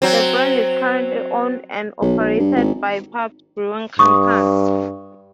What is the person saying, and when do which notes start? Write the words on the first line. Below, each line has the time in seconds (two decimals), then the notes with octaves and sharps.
The brand is currently owned and operated by Pabst Brewing Company.
0.02 F#3 C4
2.02 B1
2.20 B1
2.39 G2
2.56 G#1
3.99 G2 C#6 D#6